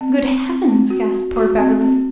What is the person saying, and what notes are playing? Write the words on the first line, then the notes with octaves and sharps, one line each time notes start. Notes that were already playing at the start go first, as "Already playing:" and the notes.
"Good heavens!" gasped poor Beverly.
C4
C4
C4
C4
F#4
F#4
F#4
C4
C4